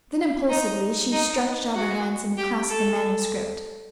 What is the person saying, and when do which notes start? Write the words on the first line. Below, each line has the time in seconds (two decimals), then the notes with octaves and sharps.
Then impulsively she stretched out her hands and clasped the manuscript.
0.49 D#4
1.12 D#4
1.74 F#4
2.37 G4
2.69 A4